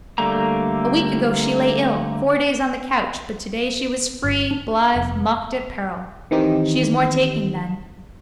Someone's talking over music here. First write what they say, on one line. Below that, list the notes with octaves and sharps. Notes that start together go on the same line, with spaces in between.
A week ago she lay ill, four days on the couch, but today she was free, blithe, mocked at peril. She is more taking then.
D3 G3 A3 A#3 A#5
G1
D4
F1
D#3 E3 C4 D#4 G4